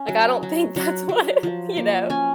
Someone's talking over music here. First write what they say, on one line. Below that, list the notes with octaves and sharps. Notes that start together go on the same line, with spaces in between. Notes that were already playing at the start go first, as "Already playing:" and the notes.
Like, I don't think that's what you know?
Already playing: C#4
F#3
F#3
F#3 F#5
F#3
F3
A#3
C#4 G#5